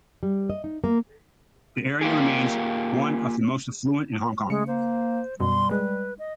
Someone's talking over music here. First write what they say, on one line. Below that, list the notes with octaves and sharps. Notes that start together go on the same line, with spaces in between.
The area remains one of the most affluent in Hong Kong.
G3
D#5
D#4
A#3
A#3 F4 G4 G#4
C#3 G#3 A3 C#7
A#3 C5
F#2 B2 G3 C6
G#3 B4
D#5